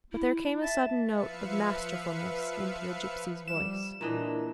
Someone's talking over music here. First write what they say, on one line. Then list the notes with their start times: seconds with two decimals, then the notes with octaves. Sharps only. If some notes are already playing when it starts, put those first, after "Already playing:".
But there came a sudden note of masterfulness into the gipsy's voice.
0.12 E4
0.62 E5 A5
1.03 F3 B4 E5 F5 C#7
3.48 F3 G3 E7
4.01 A#2 E3 D4 A#4 D#5